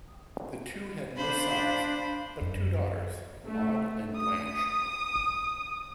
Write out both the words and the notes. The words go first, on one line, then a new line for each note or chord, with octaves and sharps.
The two had no sons, but two daughters: Maud and Blanche.
D4 C5 F5 B5
F#2
A3
D#6